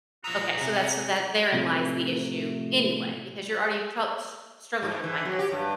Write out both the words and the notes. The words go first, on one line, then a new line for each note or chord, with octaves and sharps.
Okay, so that's so that therein lies the issue anyway because you're already tro s struggling to find that time.
F3 F#4 A#5 D#6 E6 B6
C3 G#4 E5 A#5
A2 C3 F3 A3
G#2
E3
F#3
G4
G2